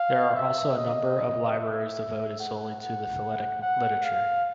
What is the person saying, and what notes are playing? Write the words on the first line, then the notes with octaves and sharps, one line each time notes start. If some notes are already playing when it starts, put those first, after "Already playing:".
There are also a number of libraries devoted solely to philatelic literature.
Already playing: F5
E5
D#5
E5
F#5
F#5
F#5
F5